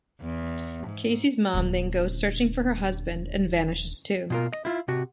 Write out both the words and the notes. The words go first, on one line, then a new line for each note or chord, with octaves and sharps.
Casey's mom then goes searching for her husband and vanishes, too.
E2
G#2
D#1 D3
B2 F4 A#4
D#5
E4 F4
C3 F#4